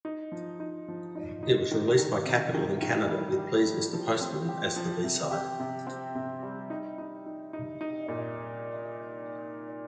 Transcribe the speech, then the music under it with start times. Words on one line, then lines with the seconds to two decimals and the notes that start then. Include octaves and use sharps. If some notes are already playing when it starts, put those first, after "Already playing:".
It was released by Capitol in Canada with "Please Mister Postman" as the B-side.
0.05 D#4
0.32 F3
0.60 D#4
0.88 F3
1.15 D#4
1.43 D#4
1.71 D#3
1.99 D#3
2.26 C3
2.54 D#3
2.83 D#3
3.09 G3
3.38 G4
3.65 F3
3.93 F3
4.21 C4
4.49 G4
4.76 F3
5.04 C3
5.31 G4
5.60 C3
5.87 C4
6.15 C3
6.43 G3
6.70 D#4
6.98 D#4
7.26 D#4
7.53 D#4
7.81 D#4
8.08 A#2